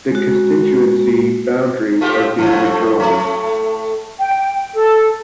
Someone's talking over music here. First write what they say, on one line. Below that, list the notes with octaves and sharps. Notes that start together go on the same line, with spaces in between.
The constituency boundaries are being redrawn.
G#3 F#4
A3 F4 G4
F#2 A2 F3
A2 A3
G5
A4